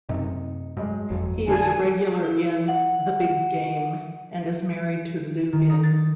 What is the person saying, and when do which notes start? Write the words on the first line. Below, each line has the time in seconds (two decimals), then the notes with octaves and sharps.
He is a regular in "The Big Game" and is married to Lu Binh.
0.09 F#2 C3 D#4
0.77 G2 F#3 G#3 G#4
1.10 G1 F2 F#3
1.47 A#2 D3 G3 G#5 A5
2.24 E4
2.68 F#5
5.53 D#3
5.70 D#4
5.83 A6